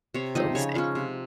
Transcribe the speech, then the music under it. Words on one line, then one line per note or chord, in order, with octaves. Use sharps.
it's all the same
C3 C#5
F3 C4 D#4 D#5
C#3 C#5
F3 G#3 C#4
C3